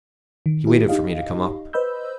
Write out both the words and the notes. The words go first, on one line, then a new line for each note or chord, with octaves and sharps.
He waited for me to come up.
D#3
E4 G4
D#4 G4 D#5 F5
B4 C5 D#5 B5 E6 G6